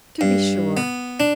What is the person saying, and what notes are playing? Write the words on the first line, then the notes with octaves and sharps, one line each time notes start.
To be sure!
G2
B3
D4